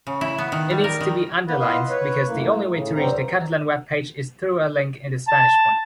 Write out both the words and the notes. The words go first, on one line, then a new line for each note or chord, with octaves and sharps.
It needs to be underlined, because the only way to reach the Catalan webpage is through a link in the Spanish one.
C#3
E4
B3
D#3
G3
A#4
D#3
A#3 B3 B4
B3 E4 F4 B4 D#5 F5
B4 C#5
F#2 A2 A#3
A2 C#3
E2 G2 F#3 G3 C4 A#5
A5